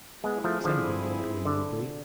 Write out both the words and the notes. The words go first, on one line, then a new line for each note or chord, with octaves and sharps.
Send me word where you will be.
G#3 B3 C4 E4 G#4
F3 A3
D3 F3
D3